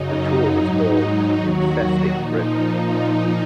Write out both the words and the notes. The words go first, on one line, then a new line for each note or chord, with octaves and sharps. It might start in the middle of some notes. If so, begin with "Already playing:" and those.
The tour was called 'Infesting Britain'.
Already playing: F#2 C#3 F#3 D#4
G#2 F#3
D#2 D#3 F#3 F#4
A#2 F3 D#4
A#2 F3 D#4